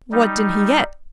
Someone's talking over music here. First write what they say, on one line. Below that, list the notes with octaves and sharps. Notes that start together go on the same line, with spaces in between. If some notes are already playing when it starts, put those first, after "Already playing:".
"What did he get?"
G3 D#4